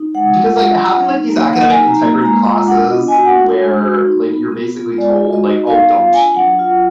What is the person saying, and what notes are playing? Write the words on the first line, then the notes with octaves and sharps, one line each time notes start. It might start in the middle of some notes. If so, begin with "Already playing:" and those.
because, like, having, like, these academic integrity classes where, like, you're basically told, like, "Oh, don't cheat,"
Already playing: D#4
G#3 F#5
F4
D4
F#3
D#4
A#3
F#3 F#5
G#5
D#4
A#5
A#3
A#5
G#3 A#5
F4 A#5
D4 F#5
B3 D#5
G#5
F#4
F#5
D4
G#3
F#4
D#4
B3
B3
F4
G#3 D5
F#4
D#5
D#4
B3 F5
F4 F5
D4 G#5
F#3 F#5
F4